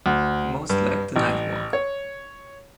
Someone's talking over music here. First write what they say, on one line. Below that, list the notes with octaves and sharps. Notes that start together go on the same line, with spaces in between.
He most liked the night walk.
D2
G2
A1
C#5